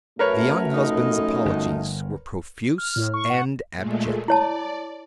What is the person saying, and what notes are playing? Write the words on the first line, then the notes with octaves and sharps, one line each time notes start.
The young husband's apologies were profuse and abject.
F#2 A3 A#4 B4 C#5
F3 D#4
G1
F6
A2
C#6
F#5
A#2 G#3 A3
E4 C#5 D5 A5